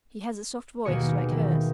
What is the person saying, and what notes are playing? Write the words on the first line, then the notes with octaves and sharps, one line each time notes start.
He has a soft voice, like hers.
D#2 B2 D#3 A#3 G#4 C#7
D#3 E3